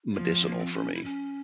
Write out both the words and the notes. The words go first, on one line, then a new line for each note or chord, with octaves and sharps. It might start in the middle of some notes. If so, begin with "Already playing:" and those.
medicinal for me.
F3 A#3
A#3
G#3
C4
A#3
C4
C#4
E4
C#4